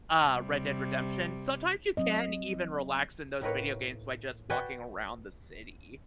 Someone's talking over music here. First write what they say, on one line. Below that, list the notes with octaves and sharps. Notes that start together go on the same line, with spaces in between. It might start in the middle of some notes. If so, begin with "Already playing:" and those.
uh, Red Dead Redemption, sometimes you can even relax in those video games by just walking around the city.
C3 G3
F#3 C4 D#5
A2 A#3 D#4 A#4 B4 C#5
F#4 B4 D5 G5 G#5